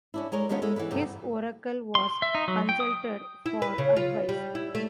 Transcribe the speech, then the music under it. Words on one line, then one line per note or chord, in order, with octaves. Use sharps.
His oracle was consulted for advice.
C#4 D4 E4
G#3 A#4 C#5
D#3 G#3 A3 B3 C#4 F4
G#3 E4
E3 B3 E4 B4
D2 G2 C3 A3
C6
E5
D#4
F#3
G5
D#6
E4
B4
C#3
F4
G3
E4
A3